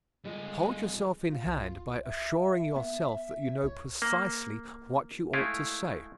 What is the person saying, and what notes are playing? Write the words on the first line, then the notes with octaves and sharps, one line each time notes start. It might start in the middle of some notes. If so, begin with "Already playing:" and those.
Hold yourself in hand by assuring yourself that you know precisely what you ought to say.
G2 G#3 F4
F4
C2
E5
B3
C#2 C#5
A#3
G#3 A3 E4 F4